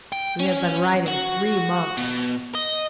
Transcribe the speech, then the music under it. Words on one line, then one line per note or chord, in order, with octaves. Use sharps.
We have been riding three months.
G5
C#4
F#4
B2
D#5